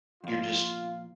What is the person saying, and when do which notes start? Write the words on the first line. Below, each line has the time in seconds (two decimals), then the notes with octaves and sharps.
you're just
0.24 F2 A#2 F4